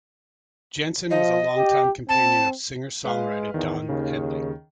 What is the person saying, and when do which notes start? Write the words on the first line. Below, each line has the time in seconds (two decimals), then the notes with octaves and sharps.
Jensen was a longtime companion of singer-songwriter Don Henley.
1.11 F3 D#5
1.57 G4
2.09 C4 A5
3.05 G#3 B4 F5
3.54 E2 D#3
3.89 D#2 C#3